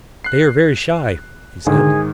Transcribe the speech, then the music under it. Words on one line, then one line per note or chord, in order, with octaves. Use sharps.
"They are very shy," he said.
F#6 C7
G#2 D3 D#3 G#4